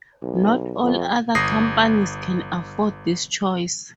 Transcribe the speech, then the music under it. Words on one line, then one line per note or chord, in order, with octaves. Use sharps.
Not all other companies can afford this choice.
B1
F2
G1 D#6 A#6 C7